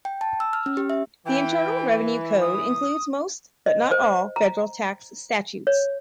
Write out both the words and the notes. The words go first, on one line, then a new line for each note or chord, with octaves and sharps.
The Internal Revenue Code includes most but not all federal tax statutes.
G5
A5
E6
F6
C#4
G4
E5
E3 G5
D#6
D#5
C5
A#5
C#5